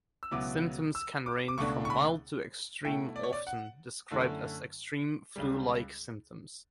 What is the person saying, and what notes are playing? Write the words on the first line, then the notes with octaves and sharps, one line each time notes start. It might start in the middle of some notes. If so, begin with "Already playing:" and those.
Symptoms can range from mild to extreme-often described as extreme flu-like symptoms.
E6
C#2 B2 F#3 B3 E4 D6
E6
D6
D6
C#2 B2 A3 D4 C#6
C#6
B5
B2 A3 E4 G5
D5
C#5
D5
F#5
F#2 D3 A3 E4
C#2 C#3 G3